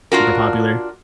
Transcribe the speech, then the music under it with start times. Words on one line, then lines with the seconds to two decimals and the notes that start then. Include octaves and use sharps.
Super popular.
0.12 D4 F4 F#4 A#4